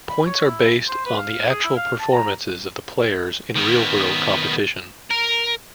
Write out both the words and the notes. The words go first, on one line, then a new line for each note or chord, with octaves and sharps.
Points are based on the actual performances of the players in real-world competition.
B5
C#5
E4
C5
B4
F5
G#4
E4
F5
A5
A#5
D#3 B3
A#4